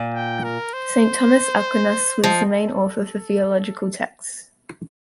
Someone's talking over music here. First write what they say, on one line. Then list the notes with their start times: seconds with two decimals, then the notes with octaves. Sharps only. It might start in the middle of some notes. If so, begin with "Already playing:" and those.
Saint Thomas Aquinas was the main author for theological texts.
Already playing: A#2
0.15 G5
0.44 A#4
0.73 C5
2.23 F3 D#5
2.53 A4